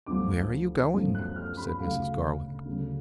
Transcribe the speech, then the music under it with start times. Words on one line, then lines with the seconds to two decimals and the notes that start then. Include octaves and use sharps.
'Where are you going?' said Mrs. Garland.
0.06 D2 D3 F3 D6
0.93 F#2 F3 A3
1.15 F#6
1.36 F6
1.57 B5
1.79 D2 C#3 F#3 A3 F5
2.65 D2 C#3 F#3